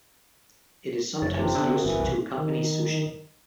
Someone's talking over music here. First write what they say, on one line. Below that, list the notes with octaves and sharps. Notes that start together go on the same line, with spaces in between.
It is sometimes used to accompany sushi.
F#1 C#5 A6
C3 A3 F4
D3 D#6 E6 F#6
F#4 A#4
G1 E3
C2
D#3